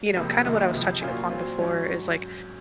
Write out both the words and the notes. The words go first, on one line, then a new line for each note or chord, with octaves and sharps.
you know, kinda what I was touching upon before is, like,
C#2 C3 F3 A#3
F#1 F#2 D#3 A#3
C#2 C3 F3
A#2 F#3 A#3 C#4 F4
A#2 F#3 C4 F4
G#2 F#3 C#4